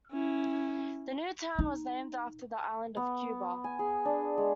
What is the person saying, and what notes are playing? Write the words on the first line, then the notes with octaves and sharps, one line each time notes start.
The new town was named after the island of Cuba.
C#4 E4
D#4
B3
G#5
G#4
D4
G#3